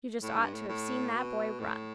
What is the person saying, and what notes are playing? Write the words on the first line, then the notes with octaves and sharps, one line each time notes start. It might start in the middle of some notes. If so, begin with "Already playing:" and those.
You just ought to have seen that boy run!
A2
G2
A2
A2
B2
A2